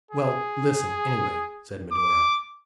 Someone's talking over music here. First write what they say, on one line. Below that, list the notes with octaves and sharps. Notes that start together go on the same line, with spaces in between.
"Well, listen, anyway," said Medora.
G#4
D6